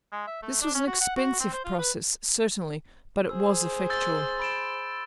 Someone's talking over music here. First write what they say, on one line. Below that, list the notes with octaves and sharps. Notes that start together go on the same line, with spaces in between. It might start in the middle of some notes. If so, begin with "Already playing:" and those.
This was an expensive process, certainly; but it was effectual.
G#3
E5
A3
D4
C#4
F#4
F#5
F#4
C4
C5
F4
B4
G#4 C5 E6
C6 E6 G6 A6
B5 D7 E7